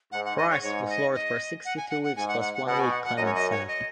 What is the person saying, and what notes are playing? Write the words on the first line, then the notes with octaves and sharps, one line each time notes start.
Christ was Lord for sixty-two weeks plus one week, Clement said.
G#2 F#5
F#5
D#5
C#5
G#2 C#5
D#5
D#5
F#5
G#5
F#5
F#5
G#2 G#5
F#5
F#5
F#5
B2 F#5
G#5
F#5
F#5
F#2 D#5
C#5
D#5
C#5
D#5